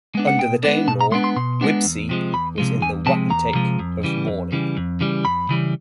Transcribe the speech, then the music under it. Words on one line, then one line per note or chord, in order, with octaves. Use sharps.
Under the Danelaw Wibsey was in the wapentake of Morley.
G#3 B3 D4
F#5
B2 G5
G#3 B3 D4
B2 A5
A#5
G#3 B3 D4 C6
C6
B2 C6
G#3 B3 D4
E2
C3 F3 G#3
E2 B5
C3 F3 G#3
E2 G#5
C3 F3 G#3 A5
E2 A#5
C3 F3 G#3
F2
C#3 E3 G3
F2
C#3 E3 G3
F2
C#3 E3 G3
F2 B5
C#3 E3 G3